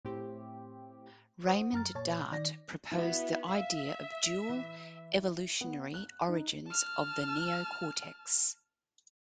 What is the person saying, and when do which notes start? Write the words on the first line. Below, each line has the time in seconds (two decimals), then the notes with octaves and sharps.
Raymond Dart proposed the idea of dual evolutionary origins of the neocortex.
0.05 A2 C4 G4
1.46 C5 F#5 D#6
1.73 F#2 A#5 F6 A6
1.95 A#2 C#5 A5 A6
2.32 D#3 D5 A#6
2.91 B3 E4 F#4
3.49 E5 F5
4.49 E3
5.61 B3
5.94 F#6
6.29 D#4
6.66 A5 F6